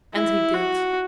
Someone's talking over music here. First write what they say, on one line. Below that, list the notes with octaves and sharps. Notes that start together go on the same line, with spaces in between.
And he did.
E4
F#4